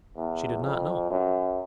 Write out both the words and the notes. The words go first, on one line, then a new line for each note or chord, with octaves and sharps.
She did not know.
E2
F2
F#2